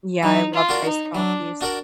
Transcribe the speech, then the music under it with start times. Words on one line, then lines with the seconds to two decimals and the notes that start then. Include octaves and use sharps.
Yeah, I love iced coffees.
0.23 F#3 D#4
0.53 F4
0.69 D4 F#4 A#4 D5
0.84 D#4
1.15 F#3 D4
1.61 D4 F#4 A#4 D5